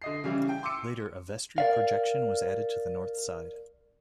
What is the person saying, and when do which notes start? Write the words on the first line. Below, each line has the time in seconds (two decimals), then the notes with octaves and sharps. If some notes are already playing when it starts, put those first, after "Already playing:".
Later, a vestry projection was added to the north side.
0.02 D3 D#5 C7
0.24 C#3 E3 G3
0.49 G5
0.63 C6 D6 E6 C#7
1.58 A#4 D5 F5